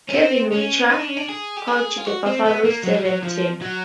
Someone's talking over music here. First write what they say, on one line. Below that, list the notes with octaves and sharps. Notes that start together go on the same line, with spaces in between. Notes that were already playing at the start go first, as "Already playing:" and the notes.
Kevin Whitcher coaches the Buffaloes sevens team.
C#4
C4
C#4
D#4
D4
C#4
D4
G#4
G4
G#4
F4
F#4
C4
B3
A#3
F#3
G3
F#3
F3
F#3